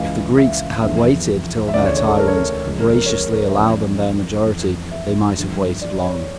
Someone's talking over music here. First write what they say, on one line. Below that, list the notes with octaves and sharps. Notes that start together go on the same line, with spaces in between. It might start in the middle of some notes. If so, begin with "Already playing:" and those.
If the Greeks had waited till their tyrants graciously allowed them their majority, they might have waited long.
Already playing: C#2 C#3 E3 F5
E5
E2 D3 F3 E5
E5
D2 C#3 E3 D5
C#5
C#5
A4
A#4
C#5
A#4
C#2 C#3 F3
A#4
A#4
C#5
A#4
A#4
E5
E2 C#3 F3 D5
F2 E3
E5
G2 D3 F3
D5
C#5